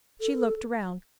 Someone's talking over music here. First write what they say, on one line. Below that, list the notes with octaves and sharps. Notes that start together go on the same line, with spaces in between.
She looked around.
A4
A#4
A4